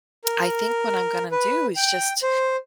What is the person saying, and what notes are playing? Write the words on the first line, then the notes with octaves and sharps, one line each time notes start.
I think what I'm gonna do is just
A#4
B4
G5
C5